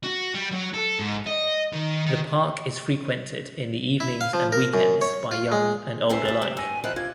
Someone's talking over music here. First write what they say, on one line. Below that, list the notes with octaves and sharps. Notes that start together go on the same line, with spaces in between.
The park is frequented in the evenings and weekends by young and old alike.
F#4
G3
F#3
A4
G#2
D#5
D#3
D#3
E4
F5
F3
A#4
F#2
C#5
F4
G#3
C3 C4 C#4 B4 E5 G#5 C7
F#2 B4 G#5 A6
C3
G2 G#5 E6 A#6
D#3 F3 E4 F#6
C3 F4 G#6